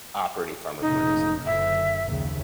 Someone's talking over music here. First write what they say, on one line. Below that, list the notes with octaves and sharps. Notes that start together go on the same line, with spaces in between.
operating farmers' markets in the country.
F1 A#2 C#3 D#4
F#1 D3 E5
A#1 D#2 C#3